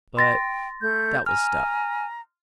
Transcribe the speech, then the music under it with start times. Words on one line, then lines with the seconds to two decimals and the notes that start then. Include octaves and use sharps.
But that was stuff.
0.17 G5 C6 A6 A#6
0.82 A3 G6
1.26 G#5 A#5 F6